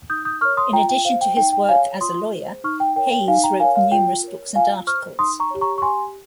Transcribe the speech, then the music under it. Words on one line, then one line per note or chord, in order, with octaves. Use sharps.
In addition to his work as a lawyer, Hays wrote numerous books and articles.
D#4 D#6 G6
D#6 G6
A#4 C#5 C#6 F6
C6 D#6
F4 G5 A#5
G5
C5 F5
G5
D#4 G5
G5
G#4 C#5 F5 G#5
F4 C6 D#6
G#4 C5
D#4 C#6 F6
G5
A#4 C#5 G5
G5
D#4 F5 G#5
G5 A#5
A#4 C#5 F5 G#5
F5
F4 G5
A#4 C#5
F4 F5 G#5
C5 C#6 F6
D#4 C6 D#6
A#5 C#6
G4 C#5
A#5 C#6
C#6
G4 G#5 C6